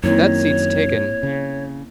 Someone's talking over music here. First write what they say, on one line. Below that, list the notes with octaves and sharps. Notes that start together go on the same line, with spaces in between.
That seat's taken.
F#2 D#3 A#3 C4 E4 C#5
C#3